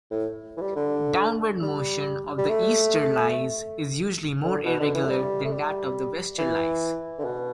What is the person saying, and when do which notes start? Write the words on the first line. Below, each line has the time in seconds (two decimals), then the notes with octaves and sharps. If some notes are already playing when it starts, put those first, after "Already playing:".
Downward motion of the easterlies is usually more irregular than that of the westerlies.
0.11 A2
0.57 E3
0.61 G3
0.76 D3
1.62 G3
2.38 G3
2.49 A3
4.44 D3
4.65 B2
4.80 D3
4.94 E3
5.05 A3
5.09 G3
5.44 A3
5.52 G3
6.38 E3
7.19 D3
7.25 B2